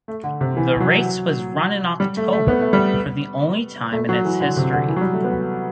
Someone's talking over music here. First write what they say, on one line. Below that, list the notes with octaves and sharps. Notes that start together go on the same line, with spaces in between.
The race was run in October for the only time in its history.
A3
D3
C3
E3
F#3
G3
A3
A3
B3
A3
G3
A3
F#3
E3
D3
C3
D3
E3
F#3
G3
A3
B3